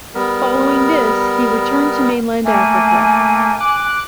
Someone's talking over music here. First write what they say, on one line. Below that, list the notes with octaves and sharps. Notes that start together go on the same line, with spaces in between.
Following this he returned to mainland Africa.
G3 B3 A#4
A3 A#3 G#5
D6 F#6